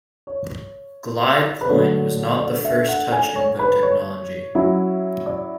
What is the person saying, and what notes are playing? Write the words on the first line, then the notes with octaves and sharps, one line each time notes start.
GlidePoint was not the first touch input technology.
C#5
B4
D3 F#3 A3 D4 C#5
D5
E5
F#5
G#5
C#5
B4
C#5
F#3 C#4 E4
D5